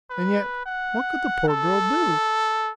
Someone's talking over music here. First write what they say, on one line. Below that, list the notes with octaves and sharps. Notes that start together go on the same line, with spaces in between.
And yet, what could the poor girl do?
B4
F#5
A4